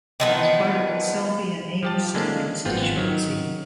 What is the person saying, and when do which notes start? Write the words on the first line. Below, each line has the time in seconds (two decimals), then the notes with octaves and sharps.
It is part of the Selby and Ainsty constituency.
0.20 D#3 F3 B3
1.83 F3 G4 A5
2.14 D3 G#3 A#3 C#4 D4
2.65 G#1 B3 C4 F4
2.96 D#3 F#3